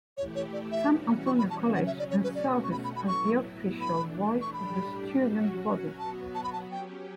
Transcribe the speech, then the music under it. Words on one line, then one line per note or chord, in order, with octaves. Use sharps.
San Antonio College and serves as the official voice of the student body.
E3 A3 E4 G4 C#5
C#5
D5
E5
E3 G3 C#4 F#4
C#6
B5
A5
C#3 F#3 C#4
F#5
E5
D5
C#5
B4
B2 A3 C#4 F#4 D5
C#6
B5
B5
B5
A2 F#3 B3 E4 C#6
E3 A3 D4 B5
C#6
A2 G3 D4 G4 B5
F#3 C#4 F#4
F#3 B3 F#4 A5
A5
B5
A5
F#3 C#4 G4 G5